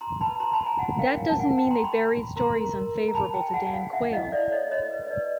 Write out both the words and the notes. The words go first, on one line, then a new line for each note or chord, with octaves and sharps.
That doesn't mean they buried stories unfavorable to Dan Quayle.
F#4 A#5 C6
B4 A5 B5
F#4 A#5 C6
A5 B5
F#4
G#5 A#5
F4 F#5 G#5
A#4 F5 G5
C#5 G#5
A5
F4 F#5 G#5
F#4 G5 A5
A#5 C6
F#4
B5 C#6
C#5
F#4
A#4 A#5 C6
A#4
A#4
F#4
A#5
C5 A5 B5
G#4 G5 A5
F4 F#5 G#5
G#5
F4 F5 G5
C#4 E5 F#5
E4 D#5 F5
A4 D5 E5
A4 C#5 D#5
F#4 C#5 D#5
B4
D#5
B4 D5